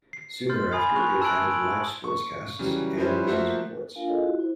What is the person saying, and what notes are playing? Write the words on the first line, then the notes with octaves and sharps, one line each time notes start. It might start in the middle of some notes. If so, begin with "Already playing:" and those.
Soon thereafter, it added live sportscasts and business reports.
C7
C6 F6 G6 A6
G#5 B5 D#6 G#6
C#6 F#6 F7
A5 E6 F#6 G#6 D7 F#7
D7 F#7
C#6
C#3 E3 F#3 G3
F3 G3 C#4 E4 B4 C5
F3 A3 A#3 F#4 C5 E5
A#3 D4 F4 A#4 F5 G#5
F4 G#4 A4 C#5 D#5
E4 F#4
E4 C5